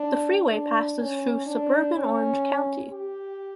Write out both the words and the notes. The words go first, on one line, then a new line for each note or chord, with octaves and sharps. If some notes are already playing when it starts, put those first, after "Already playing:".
The freeway passes through suburban Orange County.
Already playing: D4
D4
C#4
D4
C#4
G4